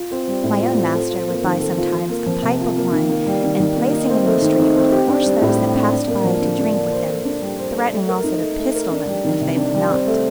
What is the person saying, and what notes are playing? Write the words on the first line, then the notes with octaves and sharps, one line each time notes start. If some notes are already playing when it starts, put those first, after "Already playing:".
My own master would buy sometimes a pipe of wine, and, placing it in the street, would force those that passed by to drink with him, threatening also to pistol them if they would not.
Already playing: F4
C4
G3
A2
F4
C4
A4
F4
A#3
D#3
A4
F4
F4
A#3
F3
C3
F4
A#3
D#3
A#3
G3
D#3
D#3
A#3
D#4
C4
A3
D#3
D#4
C4
G4
D4
G3
A2
G4
D4
D4
A#3
F3
D3
D4
A#3
C5
A4
D4
G3
C5
A4
A3
A#4
D#4
A3
A3
A#4
D4
G3
D#3
C3
D4
G3
C4
A3